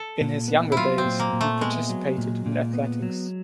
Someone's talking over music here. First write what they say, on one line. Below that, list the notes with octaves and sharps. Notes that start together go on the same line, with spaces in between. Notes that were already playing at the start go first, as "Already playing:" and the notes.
In his younger days, he participated in athletics.
Already playing: A4
A#2
B3
E4
F#3 F4
C4
A#2
A#3
A#2
A3
G#3 B3
F#3
A#2
A#2
B3
F#3